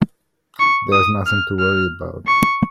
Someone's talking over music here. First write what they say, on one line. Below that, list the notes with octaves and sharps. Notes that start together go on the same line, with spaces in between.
There's nothing to worry about.
C#6
D#6
F6
F6
C#6